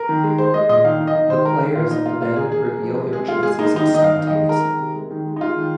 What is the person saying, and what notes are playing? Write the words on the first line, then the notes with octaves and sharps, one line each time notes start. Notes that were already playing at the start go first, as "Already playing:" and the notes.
The players then reveal their choices simultaneously.
Already playing: A#4
D#3
G#3
G#3 C5
G#3 D#5
A#2 D#5
D#3 F5
D#3
D#5
D#3
D#3 C5
G#3 A#4
D#3
A#2 F4
A#3 D#4
A#3 F4
A#2 F4
A#3 G#4
A#3 G#4
A#3
F3
C3
G#3 G#4
G#3 F4
G#3 G#4
A#3 D#4
D#3 D#4
D#3
D#5
D#3 F5
D#3
D#5
G#3
G#3 A#4
D#3
C3
G#3
D#3
G#3
D#4
G#3 F4
D#3